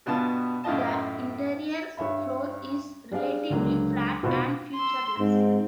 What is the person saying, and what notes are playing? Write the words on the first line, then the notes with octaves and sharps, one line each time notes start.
The interior floor is relatively flat and featureless.
G2 B2 B3 F4 A5
F#2 A2 F4 D#5 A5
G2 C#5 E5 B5
G3 D4 G#4 D5 F5
C#2 D3 F#3 A#3
F1 B2 B3 C4 F4 F#4
C6 E6
G#2 C4